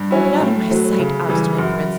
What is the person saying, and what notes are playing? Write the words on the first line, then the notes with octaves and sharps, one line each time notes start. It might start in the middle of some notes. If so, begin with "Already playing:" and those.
'Get out of my sight, obstinate Prince.
Already playing: G2
F#3 C#4 E4
A2
F#3 A3
C#3
E3 G3
F#2